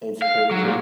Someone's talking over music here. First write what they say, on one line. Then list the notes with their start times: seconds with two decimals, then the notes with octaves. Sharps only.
It's crazy.
0.22 F5
0.51 F#3
0.64 A#2